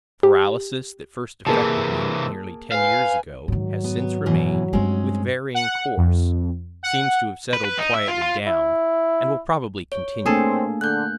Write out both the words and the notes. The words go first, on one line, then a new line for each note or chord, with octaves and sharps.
The paralysis that first affected me nearly ten years ago, has since remain'd, with varying course--seems to have settled quietly down, and will probably continue.
G4
C3 E3 A#3 G#4 A5
B4 F5 G#5
G#2 D#3 F#3
B3
F#2 B2 E3
G2 G3 G#3 C4 C#4
F#5
F2
F#5
B4
B4
D#4
E5
F4
F4
E4
C#5
A3 A#3 C4 D4 G#4 A4
D3 F#6 G6